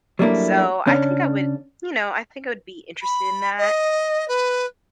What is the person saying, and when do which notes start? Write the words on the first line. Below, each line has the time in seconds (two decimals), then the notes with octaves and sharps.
so I think I would you know, I think I would be interested in that,
0.19 F#3 G3 A3 A#3 D4 E4
0.87 C#3 C#4 D4
3.02 B5
3.58 D#5
4.28 B4